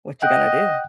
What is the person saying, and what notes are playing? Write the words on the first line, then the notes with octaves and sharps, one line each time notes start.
What you gonna do?
D#5 F#5 G5 F#6